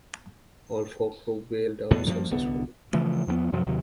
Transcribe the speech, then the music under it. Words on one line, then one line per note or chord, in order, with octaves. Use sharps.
All four crew bailed out successfully.
B1 E2 A2 B3
F#2 F3 G3 A#3
D1 C2 D3 B3
C#3 E3 F3 A3
E2 F3 F#3 B3
F#2 C3 F3 F#3
D#2 C3 D#3 F#3